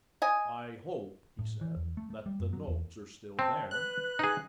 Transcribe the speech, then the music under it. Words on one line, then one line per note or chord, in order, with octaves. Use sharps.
"I hope," he said, "that the notes are still there?"
D#5 G#5
A2
E3
E2
A3
A3
G3
F#2
F#3
E2
C4 A5
B4 F#6
D#4 G#4